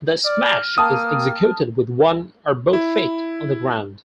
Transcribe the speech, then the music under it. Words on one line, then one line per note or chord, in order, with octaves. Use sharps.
The smash is executed with one or both feet on the ground.
D5 F6
A#3 G5 A5 D#6
E4